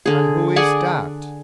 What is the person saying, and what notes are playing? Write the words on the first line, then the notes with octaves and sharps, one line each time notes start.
And who is that?
D3 G#4
G#4 D5 F#5 G#5